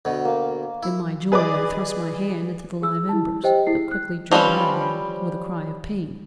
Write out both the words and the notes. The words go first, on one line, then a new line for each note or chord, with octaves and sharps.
In my joy I thrust my hand into the live embers, but quickly drew it out again with a cry of pain.
D2 B2
A#3 F5
E4
G#4 B4 D5 D#5 D6
G#4 E6
E4 A5
G4 C5 D#5 G5
E4 G#4 C7
F6 F#6
F3 G3 C4 C#4 B4